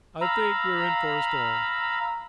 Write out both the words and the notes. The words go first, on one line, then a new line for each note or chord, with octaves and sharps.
"I think we're in for a storm."
F5 A#5 B5 E6